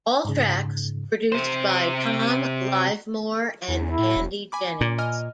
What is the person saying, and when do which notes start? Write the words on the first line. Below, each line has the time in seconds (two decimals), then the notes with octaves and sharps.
All tracks produced by Tom Livemore and Andy Jennings.
0.25 G#2 C#3
1.32 C3 C5
3.68 E2
3.85 E4
3.99 A2
4.16 E1
4.52 G#5 B5 D6
4.81 A#2
4.98 D#5 G#5 F6